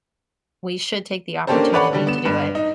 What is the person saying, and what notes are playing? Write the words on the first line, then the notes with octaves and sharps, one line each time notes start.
we should take the opportunity to do it,
A#3 C#4 D4 G4 A4 C5
A4 B4 C#5 D5 F#5 B5
D3 G3
B3 E7
G2 B4
D#4